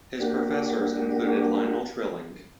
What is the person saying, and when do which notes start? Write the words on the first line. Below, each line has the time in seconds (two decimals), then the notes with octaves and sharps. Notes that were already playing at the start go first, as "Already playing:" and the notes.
His professors included Lionel Trilling.
0.20 A#3 D4 F#4 G4